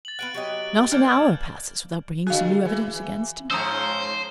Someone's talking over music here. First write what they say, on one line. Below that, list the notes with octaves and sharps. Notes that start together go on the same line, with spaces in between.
Not an hour passes without bringing some new evidence against him.
A6 F#7
B3 F4 F#5 F#6 D7 F#7
F#3 G4 D#5
E3 A#3 D4 F6 G6 G#6
D3 F#4 G#4 F5
E3
G#2 F3 C#4 C5 A#5 D#6 E6